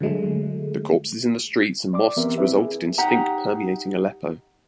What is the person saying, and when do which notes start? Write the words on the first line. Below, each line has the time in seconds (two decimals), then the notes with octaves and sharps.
The corpses in the streets and mosques resulted in stink permeating Aleppo.
0.01 D3 F#3 G#3 A3
1.93 D5 C6 D6
2.16 E3 B3 C4 G4 A#4 E5
2.38 C4 E4 B4 E5
2.54 G#4
2.98 D#4 G4 F#5 A#5